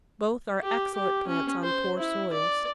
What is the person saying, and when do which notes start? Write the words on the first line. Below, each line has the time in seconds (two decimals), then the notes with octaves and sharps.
Both are excellent plants on poor soils.
0.62 G4
0.94 G4
1.27 C#4
1.63 C5
1.98 E4
2.32 D5